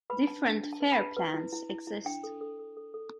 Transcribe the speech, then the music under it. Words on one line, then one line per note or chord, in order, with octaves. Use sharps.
Different fare plans exist.
B4 B5
D4 A5
D4 A5
D4
A5
B4
B5
B4 A5
B4
E4
E4
E4
E4
D4 G5
A4
A4
A4
A4
A4